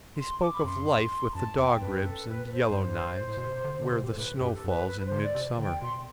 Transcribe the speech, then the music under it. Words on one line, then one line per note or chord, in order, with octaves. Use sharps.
He spoke of life with the Dog Ribs and Yellow Knives, where the snow falls in midsummer.
C6
D6
B5
F#2 C6
B5
F#2 A5
E2 G5
F#2 B4
A4
B4
B4
C5
F#2
G2
A2
B2
C3
D3
D3
C3
B2
G4
A4
A2 B4
G4
G2
A4
F#2
B4
B4
B4
C5
D3
D5
C3
D3 G5
B2 C6